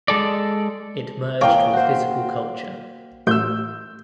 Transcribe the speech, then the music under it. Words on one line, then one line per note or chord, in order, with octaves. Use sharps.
It merged with "Physical Culture".
G#3 A4 D5
E3 A#3 C#5 D#5 F5 G5 D6
F#4 C5
A1 E6 G6